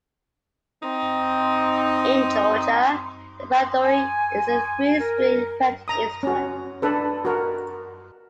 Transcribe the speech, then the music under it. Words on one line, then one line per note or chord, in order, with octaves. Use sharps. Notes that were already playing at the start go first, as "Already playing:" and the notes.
In Georgia the "panduri" is a three-string fretted instrument.
C4 D#4
G#5
A#4
A#5 D#6
C#4 F#4
D4 A4 B4
F#4 A#4